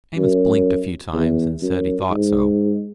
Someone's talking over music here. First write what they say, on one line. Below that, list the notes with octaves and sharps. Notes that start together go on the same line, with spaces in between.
Amos blinked a few times and said he thought so.
F#2
E2
F#2
G#2